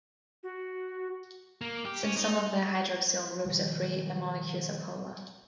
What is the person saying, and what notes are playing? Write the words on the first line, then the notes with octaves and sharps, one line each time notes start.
Since some of their hydroxyl groups are free their molecules are polar.
F#4
A#3
G4
C#4
D#4
B2 D#3 F3 G3